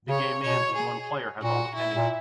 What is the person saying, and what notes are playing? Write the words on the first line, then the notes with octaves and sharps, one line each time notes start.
The game ends when one player has all the pennies.
C#3 C#5
B2 C#5
G#4
A#2 F#4
E4
A#2